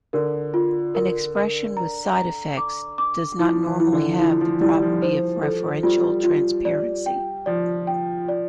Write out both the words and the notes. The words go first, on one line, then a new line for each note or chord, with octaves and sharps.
An expression with side effects does not normally have the property of referential transparency.
D3 A#4
F4
A#4
A#4
A#5
A#5
D6
D6
F3 E4
E3
E4
D3
F3 E4
F3
G3 E4
F3
C5
A4
G3 F4
F4
D5
G5
F3 D5
G5
D5